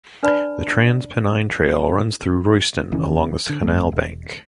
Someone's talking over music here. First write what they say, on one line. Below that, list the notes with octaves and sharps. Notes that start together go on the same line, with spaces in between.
The Trans Pennine Trail runs through Royston along the canal bank.
D4 B4 D5 A5 B5
F1 D#3 E3 C#4
D3
F#1 G2 A3
E1